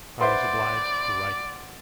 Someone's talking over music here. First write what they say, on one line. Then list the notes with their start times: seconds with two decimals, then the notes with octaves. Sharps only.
I was obliged to write it.
0.21 B4 C5 D5 E5 F#5 C6